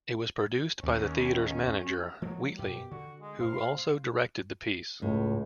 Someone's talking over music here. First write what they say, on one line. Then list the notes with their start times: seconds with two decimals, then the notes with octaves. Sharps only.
It was produced by the theatre's manager, Wheatley, who also directed the piece.
0.83 D#2 C#4
2.22 F3 F#3 G#3 A#3
2.59 F#2 B2 G4
2.91 D3 F#4
3.21 G#3
3.40 A#2 C5 F5
5.02 C#2 A2